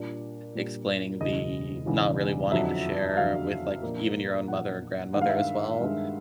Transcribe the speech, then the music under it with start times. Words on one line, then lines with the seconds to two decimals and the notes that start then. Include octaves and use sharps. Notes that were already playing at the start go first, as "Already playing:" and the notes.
explaining the not really wanting to share with, like, even your own mother or grandmother as well.
Already playing: A#2 G3 A#3 D4 F4 D5
0.55 A#2 G3 A#3 D4 F4
1.20 E1 E2 C#3 D#5
1.86 E1 E2 C#3
2.51 F2 D3 F#3 E5
3.17 F2 D3 F#3 F5
3.82 A#2 F3 A#3 D4
4.48 A#2 F3 A#3 D4 F#5
5.13 G2 D#3 G#3 F#5
5.21 F5
5.29 E5
5.37 F5
5.79 G2 D#3 G#3